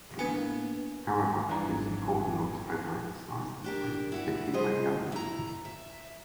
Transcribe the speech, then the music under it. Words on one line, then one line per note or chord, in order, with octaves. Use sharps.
However, it is important not to over exercise this breed, particularly when young.
A2 A#3 B3 D4 G#5
G#1 E3 G3 D4 A#5
D4 G4 A#4
E4 F#4 D5
G3 C4 G#4 C5 D#5
E4 A#5
E5